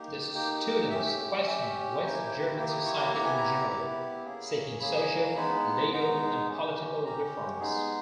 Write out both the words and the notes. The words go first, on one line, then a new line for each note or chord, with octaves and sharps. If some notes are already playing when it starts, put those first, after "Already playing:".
The students questioned West German society in general, seeking social, legal, and political reforms.
Already playing: A#3 D#4 G4
A#3 D#4 G4 G5
C#4 G4 E5
C#4 G4 E5
A#3 E4 G4 G5
G#5
G5
A#3 E4 G4 G5
D#6
C#6
B5
B3 E4 G4 A#5
G#5
A#5
B3 E4 G4
A#3 C#4 G#4
A#3 C#4 G#4 B5
G#3 B3 D#4 B5
G#3 B3 D#4 A#5
C#4 G4
C#4 G4 A#5
G#3 B3 D#4 G#4